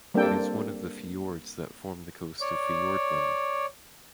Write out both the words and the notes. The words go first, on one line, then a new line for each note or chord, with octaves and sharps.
It is one of the fiords that form the coast of Fiordland.
G3 A#3 C4 D4 A4 G5
C#5 D5